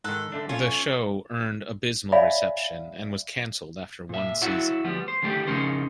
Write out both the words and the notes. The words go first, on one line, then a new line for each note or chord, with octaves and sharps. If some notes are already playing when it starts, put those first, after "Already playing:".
The show earned abysmal reception and was cancelled after one season.
G#2 D#3 A4 F#6
D3 A3 D4
B1 A3 C#4 F4 C#5
C#5 D5 E5 F5 G#5 B5
A#2 E5
E4 F#4 C#5 E5 F#5
D2 F3 G3 B3
C5
D3 D#3 G3 A3 G4
F2 C#3 C#4 D#4 A#4 C5